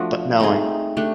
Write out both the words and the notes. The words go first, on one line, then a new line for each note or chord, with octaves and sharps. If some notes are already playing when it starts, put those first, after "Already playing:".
but no, I
Already playing: F3 A3 D4 F#4
A3 C4 D#4 G#4
A3 D4 G4